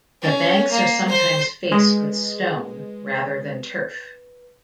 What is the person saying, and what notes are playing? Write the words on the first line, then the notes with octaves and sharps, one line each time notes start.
The banks are sometimes faced with stone rather than turf.
C#4
A#3
C5
G#3 B4